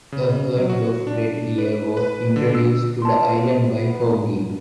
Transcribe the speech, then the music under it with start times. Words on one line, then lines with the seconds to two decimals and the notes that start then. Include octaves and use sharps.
A herd of red deer was introduced to the island by Haughey.
0.12 C#3
0.57 F#3
0.69 F#4
1.07 D4
1.58 B4
1.97 B4
2.36 D3
2.55 E6
3.02 B3 A5 C6